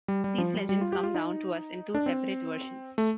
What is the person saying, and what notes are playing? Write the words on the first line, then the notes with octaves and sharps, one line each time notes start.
These legends come down to us in two separate versions.
G3
G3
F3
G3
G3
F4
G4
F4
D#4
D4
C4
A3